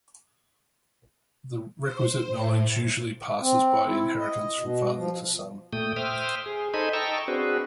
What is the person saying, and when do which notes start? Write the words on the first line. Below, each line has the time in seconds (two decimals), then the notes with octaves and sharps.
The requisite knowledge usually passes by inheritance from father to son.
1.82 C5
2.29 A2
3.41 C4
3.86 E4
4.19 D#5
4.59 B2
4.97 F3
5.73 A#2 A3 G5 D#6
5.96 C5 E5 G5 D#6 F6
6.46 G#4
6.74 D#4 A4 C5 D#5 G#5 B5
6.93 D#5 G5 A5 A#5 C#6 E6
7.28 C4 D4 F#4 G#4 B4